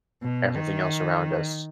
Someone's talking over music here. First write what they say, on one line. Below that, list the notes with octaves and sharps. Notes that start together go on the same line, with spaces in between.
everything else around us.
B2
D#3